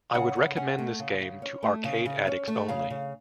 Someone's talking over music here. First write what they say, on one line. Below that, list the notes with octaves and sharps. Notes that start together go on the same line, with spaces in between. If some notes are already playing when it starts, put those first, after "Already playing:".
I would recommend this game to arcade addicts only.
C#3 F#5
C#3
C#4 F#5
A3
C#3
C#3
C#4
A3
C#3
C#3
C#4
A3
C#3 F5
C#3